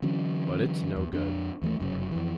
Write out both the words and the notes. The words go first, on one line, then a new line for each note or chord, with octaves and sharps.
But it's no good.
D3 E3 F#3 C#4
E2
F2 D4
D#2 E3 A3
F1 F#2 A2 C#3
F2 E3